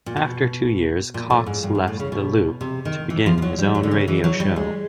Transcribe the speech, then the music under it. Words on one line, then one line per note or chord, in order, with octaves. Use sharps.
After two years, Cox left The Loop to begin his own radio show.
A#2
B2
A#2
A2
G#2
G2
G#2
A2
C#3
B2
C3
D#3
E3
F3
F3
F#3
G3
F#3
D3
C#3
E3
F#3
G3
G#3